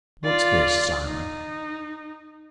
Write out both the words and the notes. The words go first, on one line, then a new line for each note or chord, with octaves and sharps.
"What's this, Simon?"
F4 D5
D#4